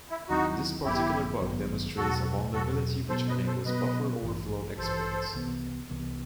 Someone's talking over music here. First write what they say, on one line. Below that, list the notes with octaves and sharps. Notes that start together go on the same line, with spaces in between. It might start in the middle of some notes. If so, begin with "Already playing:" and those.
This particular bug demonstrates a vulnerability which enables buffer overflow exploits.
E4
D#2 D#3 F#3 C4 D#4 E4 F#4
A1 G2 D#3 F#3 B3 E4 G4
A1 G2 D#3 F#3 B3
E2 B2 F#3 F#4 A4
E2 B2 F#3 F#4 A4
B2 F#3 B3 A4 C5
B4 D#5
A4 C5
B2 F#3 B3 B4 D#5
A1 G2 E3
A1 G2 E3 A4 C5
C2 C3 E3 B3
C2 C3 E3 B3